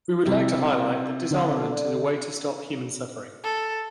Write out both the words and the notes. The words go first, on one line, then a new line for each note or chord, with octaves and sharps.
We would like to highlight that disarmament is a way to stop human suffering.
C3 G3 E4
D3
A4